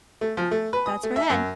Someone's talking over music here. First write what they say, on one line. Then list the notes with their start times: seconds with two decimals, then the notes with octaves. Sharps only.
That's her head.'
0.21 A3
0.37 F3
0.51 A3
0.73 B4
0.86 D#6
1.03 A3
1.16 E5
1.30 F#2